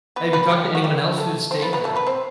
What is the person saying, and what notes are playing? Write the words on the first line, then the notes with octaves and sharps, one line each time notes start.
Have you talked to anyone else who's stayed there?
B3 B4
B3 B4
G3 G4
F#4
G3 G4
A3 A4
C4 C5
B3 B4
B3 B4
A3 A4
B3 B4
C4 C5